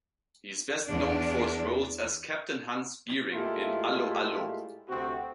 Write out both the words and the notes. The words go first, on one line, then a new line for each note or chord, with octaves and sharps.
He is best known for his roles as Captain Hans Geering in 'Allo 'Allo!
E2 D4
A#2 G#3 A3 E4 F4 G4
D2 C3 C4 F#4